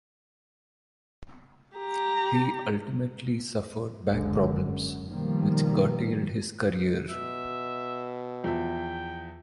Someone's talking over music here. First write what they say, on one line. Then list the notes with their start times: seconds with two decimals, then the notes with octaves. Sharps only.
He ultimately suffered back problems, which curtailed his career.
1.76 G4 A#5
4.06 F#1 C#2 F#2 D3 G#3
4.59 F#2
5.07 B2 D#3 F3 G3 A#3
7.09 B2 E5
8.44 E2 F3 E5 G5